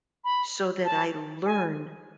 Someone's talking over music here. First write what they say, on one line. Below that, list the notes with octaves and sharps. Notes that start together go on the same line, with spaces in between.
so that I learn
B5
A5
G#5